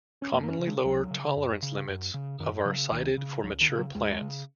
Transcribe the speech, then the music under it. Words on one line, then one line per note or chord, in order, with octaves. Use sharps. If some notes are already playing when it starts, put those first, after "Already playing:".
Commonly lower tolerance limits of are cited for mature plants.
C#4
F#2 A#3
A#3
C#4
C#3
G#3
C#2 F#3
C#3
F#2
C#3
F#2
C#3
F#2 D#3
C#3 F#3
C#2 D#3
C#3
C#2 F#3
D#3
C#3
F#3
D#2 G#3
C#3